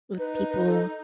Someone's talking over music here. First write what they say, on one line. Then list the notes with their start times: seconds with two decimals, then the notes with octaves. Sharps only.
with people
0.19 D#4 B4
0.34 B4
0.50 B4
0.66 A4